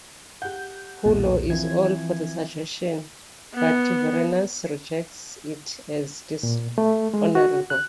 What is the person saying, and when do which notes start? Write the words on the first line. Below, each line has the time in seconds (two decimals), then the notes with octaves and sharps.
Pullo is all for the suggestion, but Vorenus rejects it as dishonorable.
0.42 G4 F#5 G6
1.06 B1 E2 A#2
1.50 E3 F3 C4 G#6
3.54 B3
6.43 A#2
6.78 A3
7.14 G#3
7.35 F#4
7.70 F#6